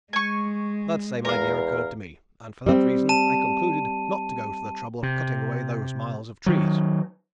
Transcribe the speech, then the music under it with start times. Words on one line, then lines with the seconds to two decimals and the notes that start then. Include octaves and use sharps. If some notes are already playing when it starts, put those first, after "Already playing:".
That same idea occurred to me, and for that reason I concluded not to go to the trouble of cutting away those miles of trees.
0.13 G#3 G#5 C#6
1.25 E2 A#4 F5
2.66 G3 C4
3.09 A5 D#7
5.03 C3
6.46 D#3 F#3